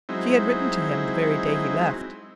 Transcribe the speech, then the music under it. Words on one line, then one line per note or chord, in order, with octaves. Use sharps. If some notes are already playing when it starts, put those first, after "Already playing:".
She had written to him the very day he left.
F#3 G#3 C4 D#4 E4